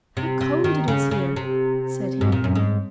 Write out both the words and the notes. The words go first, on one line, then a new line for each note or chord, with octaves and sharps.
"How cold it is here!" said he.
C3
C3
D#3
C#3
C#3
C3
G#2
A#2
F#2
G#2